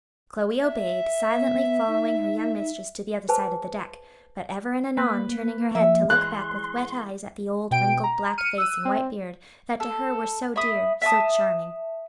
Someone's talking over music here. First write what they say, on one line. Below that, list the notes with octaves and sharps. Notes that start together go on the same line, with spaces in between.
Chloe obeyed, silently following her young mistress to the other side of the deck, but ever and anon turning her head to look back with wet eyes at the old wrinkled black face and white beard that to her were so dear, so charming.
E5
B3
D#4
G#4 B4 C5 G#5 A5
A#3 B4
F3 A#3 E5
E3 G#3 C6 F#6
B2 G5 D7
A#5
F6 C#7 D#7
E6 F#6 D#7
C4
A4
E5 B5 D#6
E5 A5 D#6